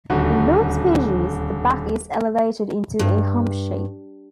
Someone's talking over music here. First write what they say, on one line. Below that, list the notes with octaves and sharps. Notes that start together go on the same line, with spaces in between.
In both species, the back is elevated into a hump shape.
D#1 D2 F#4
G2